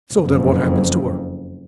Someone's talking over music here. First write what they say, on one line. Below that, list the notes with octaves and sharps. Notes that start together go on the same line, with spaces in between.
So then what happens to her?
F#1 F2